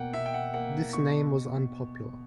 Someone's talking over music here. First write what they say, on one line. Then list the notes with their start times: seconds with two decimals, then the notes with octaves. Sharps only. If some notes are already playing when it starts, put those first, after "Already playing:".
This name was unpopular.
Already playing: B2 A#3 F#5 G5
0.13 B2 E5
0.26 G5
0.34 F#5
0.54 A#3 F#5
0.93 B2 C#6